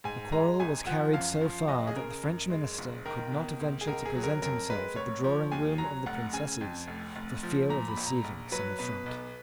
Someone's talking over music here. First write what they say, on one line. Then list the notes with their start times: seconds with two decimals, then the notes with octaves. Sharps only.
The quarrel was carried so far that the French minister could not venture to present himself at the drawing room of the Princess for fear of receiving some affront.
0.04 G#2 G#5
0.32 G#3 A#5
0.60 G#1 G#5
0.87 F3 F#5
1.14 F#2 F5
1.41 F3
1.68 F#1 D#5
1.87 G#4
1.96 C#3 A#4
2.23 F#2
2.50 G#3
2.79 F#1
3.06 D#3 A#4
3.32 B2
3.60 C#2
3.81 G#4
3.87 C#2 A#4
4.06 G#4
4.15 F#3
4.23 A#4
4.42 F2 A#4
4.69 G#3 B4
4.96 F1 C#5
5.24 F3
5.52 D#2 G#5
5.78 F#3 A#5
6.06 F1 F#5
6.33 C#3 G#5
6.61 F2
6.88 F1
7.16 F1
7.43 F3
7.69 A#2 A#5
7.88 B5
7.97 A#1
8.06 A#5
8.24 A#1
8.52 F#3 B4
8.79 B2 B4
9.06 B1